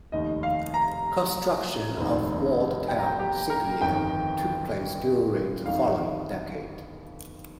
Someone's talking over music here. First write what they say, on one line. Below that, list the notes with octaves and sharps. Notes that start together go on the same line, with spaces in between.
Construction of walled town Senglea took place during the following decade.
F1 D#2 D#3 D#5
F5
A#5
F1 D#2 D#3 C4 D#4
G5
A#5
G5
G4
A#4
G1 F2 D#3 G5
G1 F2 D#3 G3 F5